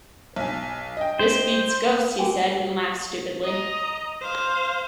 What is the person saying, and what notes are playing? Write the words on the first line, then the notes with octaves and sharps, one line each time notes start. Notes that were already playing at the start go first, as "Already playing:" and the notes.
"This beats ghosts," he said, and laughed stupidly.
B1 G#5
D#5 G5
C5
F#4 G#4 A#4 G5 G#5
D#5 A#5
C5 F5